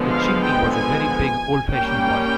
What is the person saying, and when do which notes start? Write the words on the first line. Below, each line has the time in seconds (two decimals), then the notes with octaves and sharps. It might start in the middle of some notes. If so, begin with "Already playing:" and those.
The chimney was a very big old-fashioned one.
Already playing: D3 F3 G#3 B3
0.12 F5
0.43 G5
0.76 G#5
1.71 G3 A#3 C#4 G5